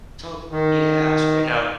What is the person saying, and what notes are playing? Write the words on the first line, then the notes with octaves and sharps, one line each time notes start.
So, yeah. So right now,
D#3